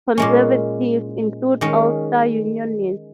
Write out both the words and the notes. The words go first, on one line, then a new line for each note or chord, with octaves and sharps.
Conservatives include Ulster Unionists.
A#2 G#3 C#4
D#3 G#3 C#4